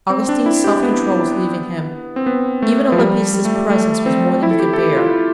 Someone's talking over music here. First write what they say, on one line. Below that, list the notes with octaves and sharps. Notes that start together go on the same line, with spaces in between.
Augustine's self-control was leaving him; even Alypius' presence was more than he could bear.
C4
D4
E4
G4
B3
C4
B3
A3
F3
G3
G3
A3
G3
A3
C4
E4
A4
G4
A4
G4
F4